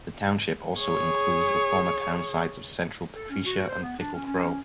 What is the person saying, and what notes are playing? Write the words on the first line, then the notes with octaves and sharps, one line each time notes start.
The township also includes the former townsites of Central Patricia and Pickle Crow.
G#4 C#5
A4
C#4
F#4
C5
B3
D4
C#4
C#4